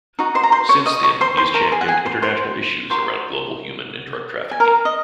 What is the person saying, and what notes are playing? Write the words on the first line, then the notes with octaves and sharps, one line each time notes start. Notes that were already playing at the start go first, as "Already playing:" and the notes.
Since then, he has championed international issues around global human and drug trafficking.
D#4 F#4
C5 C6
A#5
C5 C6
C#5 C#6
D#5 D#6
C#5 C#6
C5 C6
C5 C6
A#4 A#5
G#4 G#5
F#5
G#4 G#5
C5 C6
C5 C6
F#4 A#4 C5 C6
G#5
A#4 A#5
D#5